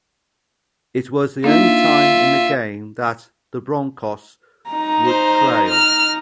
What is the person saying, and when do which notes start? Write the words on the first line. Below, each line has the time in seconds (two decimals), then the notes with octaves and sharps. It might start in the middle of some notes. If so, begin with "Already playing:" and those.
It was the only time in the game that the Broncos would trail.
1.44 A#3 D4 D#4 F4 E5
4.70 D#4 A#5
5.05 C5
5.69 F6